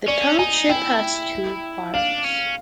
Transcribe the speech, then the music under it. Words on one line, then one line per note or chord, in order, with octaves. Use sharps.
The township has two parks.
C#4 D5
D#4 G#5
E4 G5
D4 F5
C#4